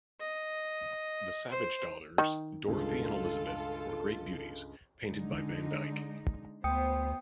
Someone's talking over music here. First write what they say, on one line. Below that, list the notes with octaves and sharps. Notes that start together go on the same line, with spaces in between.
The Savage daughters, Dorothy and Elizabeth, were great beauties, painted by Van Dyck.
D#5
C5
D#3
C#2 G2 F4 A4
D3 G#3 D#4
D2 B3 C5 G5 D#6 C#7